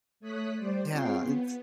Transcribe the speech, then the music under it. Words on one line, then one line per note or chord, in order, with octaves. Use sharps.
Yeah, it's
A3 C#5 D#6 F#6 B6
G3 C5 D5
C4 F4 G#4 C#5 G5 C7
B3